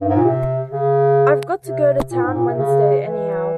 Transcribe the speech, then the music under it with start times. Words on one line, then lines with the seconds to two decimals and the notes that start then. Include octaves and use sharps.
I've got to go to town Wednesday, anyhow.
0.01 G2
0.08 G#2
0.16 A#2
0.24 C3
0.71 C#3
1.64 C3
2.11 A#2
2.23 G#2
2.34 A#2
2.46 C3
2.58 C#3
3.04 E3